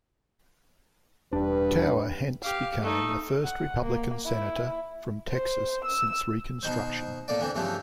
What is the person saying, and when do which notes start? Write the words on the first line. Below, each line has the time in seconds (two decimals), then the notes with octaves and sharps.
Tower hence became the first Republican senator from Texas since Reconstruction.
1.33 E1 G2 D4 B4
2.43 G4 F5
2.81 A3 D#4
3.45 F#5
3.83 A#3
4.25 E4
5.29 C5
5.85 E6
6.63 B2 D#3 C5
7.28 A2 A#3 D5
7.40 D3 E3 C4
7.55 G2 C#3 E3 F3 A3